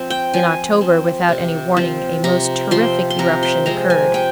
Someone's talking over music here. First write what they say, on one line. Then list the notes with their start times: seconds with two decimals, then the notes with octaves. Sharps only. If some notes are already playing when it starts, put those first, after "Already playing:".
In October, without any warning, a most terrific eruption occurred.
Already playing: F3 C4
0.10 G5
0.34 F3 G#5
0.81 C4
1.29 C3
1.77 F3 C4
2.24 C3 A#5
2.71 F3 C4 C6
3.10 C6
3.19 C3 A#5
3.43 C6
3.66 F3 G#3 C4 A#5
3.90 G#5
4.14 C3 G5